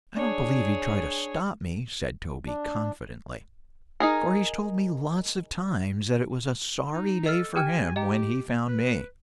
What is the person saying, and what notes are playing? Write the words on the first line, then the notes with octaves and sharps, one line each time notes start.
"I don't believe he'd try to stop me," said Toby, confidently; "for he's told me lots of times that it was a sorry day for him when he found me."
D4 G#4 C#5
D4
D#4 G#4 A#4
D#4
A4 D#5 F6
G4 G5 G#5 F6
G4 D#5 G5 A#5
B4